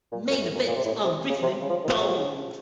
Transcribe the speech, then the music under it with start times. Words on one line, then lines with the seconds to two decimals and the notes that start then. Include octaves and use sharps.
Main events are written in bold.
0.11 A#2
0.30 F#2
0.42 A2
0.55 F#2
0.67 A#2
0.76 C3
0.85 A2
1.04 C3
1.29 C#3
1.42 C3
1.60 C#3
1.69 F3
1.84 D#3
1.88 F3
1.98 F#3
2.07 F3
2.16 C#3